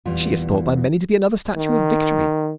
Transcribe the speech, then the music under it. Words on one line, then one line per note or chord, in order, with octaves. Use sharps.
She is thought by many to be another statue of Victory.
E2 A#2 E3 G3 F4
D#3